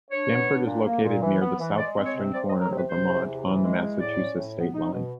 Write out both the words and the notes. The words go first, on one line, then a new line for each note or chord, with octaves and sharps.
Stamford is located near the southwestern corner of Vermont, on the Massachusetts state line.
D4 C#5
B3
D4
A#2
A#3
A#2
E3
B3
E3
G#3 D5
C4
C#5
C3
C3 D5
D#5
F#3
A#4
C3 B4
C3 C5
E2
C3
E3
G#3
E2
A2 D5
C#4
A2
B3
D#4
B2